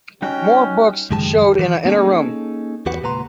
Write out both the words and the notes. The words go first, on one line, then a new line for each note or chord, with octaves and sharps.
More books showed in an inner room.
G3 C#4 D#4 F#4 G5
C#2 F#2 D#3 G#3 G4 A5
E3
A#3 B3 C#4 D#4 G#4 A4
E2 F#4 G4 B4 F#5
C#2 A#2 B4 A#5 C6